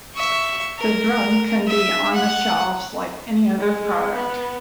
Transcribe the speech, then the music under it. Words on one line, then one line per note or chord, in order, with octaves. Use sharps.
The drug can be on the shelves like any other product.
E5 C#6
A#4
E5
F#5
G#3
B3